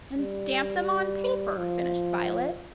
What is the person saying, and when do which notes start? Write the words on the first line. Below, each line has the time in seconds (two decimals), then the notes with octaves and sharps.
"And stamp them on paper!" finished Violet.
0.17 G3
1.57 F3